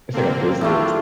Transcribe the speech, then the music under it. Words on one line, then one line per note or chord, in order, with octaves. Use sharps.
it's, like, a business
D3 A#3 C4
A2 G3 A3 D4 F4